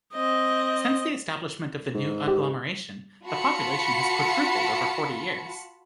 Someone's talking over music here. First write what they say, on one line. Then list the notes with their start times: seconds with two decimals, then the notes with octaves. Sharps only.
Since the establishment of the new agglomeration, the population has quadrupled over forty years.
0.14 C4 D#5
1.95 G#2
2.28 G4
3.25 F4 F#4 A5 B5 C#7